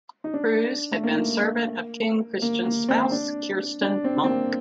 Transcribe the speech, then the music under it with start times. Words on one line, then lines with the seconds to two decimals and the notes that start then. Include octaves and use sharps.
Kruse had been servant of King Christian's spouse, Kirsten Munk.
0.24 D#4
0.34 D4
0.91 A3
1.03 A#3
2.42 A#3
2.65 A#3
2.89 C4
3.12 D4
3.81 D4
4.04 C4
4.24 C4
4.27 A#3